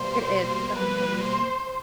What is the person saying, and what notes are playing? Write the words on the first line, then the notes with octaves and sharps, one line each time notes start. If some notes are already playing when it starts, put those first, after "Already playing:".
It is, it's amazing.
Already playing: B2 G3 A#3 C5
B4
C5